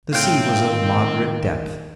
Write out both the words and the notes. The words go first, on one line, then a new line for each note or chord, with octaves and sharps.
The sea was of moderate depth.
A2 C4 F4 G5
D#3